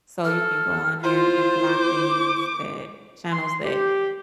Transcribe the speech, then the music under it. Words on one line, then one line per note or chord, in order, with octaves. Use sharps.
so you can go on there and block things that channels that
A4 F6
E4 F4 C5
D6
C6
G4